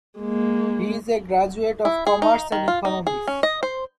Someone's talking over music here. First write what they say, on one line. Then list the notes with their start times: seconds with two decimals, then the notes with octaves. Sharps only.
He is a graduate of Commerce and Economics.
0.20 G#3 A#3
1.85 E4
2.07 G#4
2.22 D#4
2.52 D#3
2.68 F4
2.85 D#4
3.07 G#4
3.27 C#4
3.43 D#5
3.63 C5